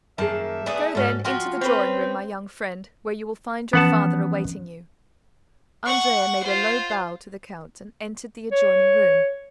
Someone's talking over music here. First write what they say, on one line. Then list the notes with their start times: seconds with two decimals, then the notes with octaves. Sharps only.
"Go, then, into the drawing-room, my young friend, where you will find your father awaiting you." Andrea made a low bow to the count, and entered the adjoining room.
0.18 F#2 D#3 A#3 G#4 E5 A5
0.66 A3 B3 G#4 D5
0.95 G#2 C#4 F#4 A4
1.24 F3 F4 F#4 G5
1.61 C4 C#4 B4
3.73 E3 F3 B3 C#4 F#5 A5
5.86 F#5 C#6
6.43 F4 C5
8.52 C#5